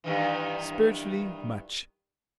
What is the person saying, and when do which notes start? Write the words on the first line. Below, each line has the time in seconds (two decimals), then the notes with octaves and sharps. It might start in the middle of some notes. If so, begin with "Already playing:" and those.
Spiritually much.
0.04 G2 D#3 E3